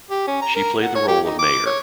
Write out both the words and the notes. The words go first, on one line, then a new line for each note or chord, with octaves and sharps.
She played the role of mayor.
G4
C#4
A#5
A#4
F#5
C#5
G4
D#4
D6
C#5